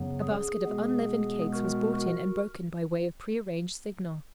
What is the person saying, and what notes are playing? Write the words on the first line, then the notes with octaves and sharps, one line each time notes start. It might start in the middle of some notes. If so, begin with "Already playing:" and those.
A basket of unleavened cakes was brought in and broken, by way of prearranged signal.
Already playing: F#2 C#3 F#3 B3
G#4
B2 G#3 B3
F#4 A#4
F#4 A#4